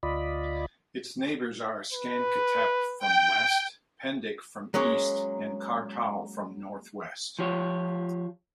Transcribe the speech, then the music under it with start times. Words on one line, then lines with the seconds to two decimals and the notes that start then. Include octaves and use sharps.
Its neighbours are Sancaktepe from west, Pendik from east and Kartal from northwest.
0.03 D2 F4 D5 D#5 B5
1.93 B4
2.99 G5
4.74 F#3 G#3 A#3 C#4 C#5
7.39 F3 F4 G4 C#5